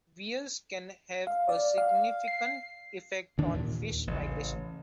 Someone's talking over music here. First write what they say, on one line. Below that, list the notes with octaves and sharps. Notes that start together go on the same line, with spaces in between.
Weirs can have a significant effect on fish migration.
F5
D5
F5
C7
D2 D#3 D4
D#2 A#2
A1 C#3